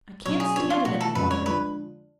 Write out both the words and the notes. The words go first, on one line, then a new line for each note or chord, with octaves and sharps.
I can't stand it any longer.
B2 F#3 C#4 C#5
G#4
F3 B3 D4 C#5
F4
B2 A3 F4 F#4
A4
F2 C#3 G#3 B4
C#5
D3 F3 G#3 B4